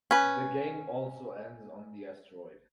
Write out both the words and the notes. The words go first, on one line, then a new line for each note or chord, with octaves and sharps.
The game also ends on the asteroid.
C#4 B4